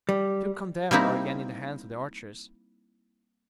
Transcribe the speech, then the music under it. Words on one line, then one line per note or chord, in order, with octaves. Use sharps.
The two condemned are again in the hands of the archers.
G3
G3 A#3 C4 D#4 E4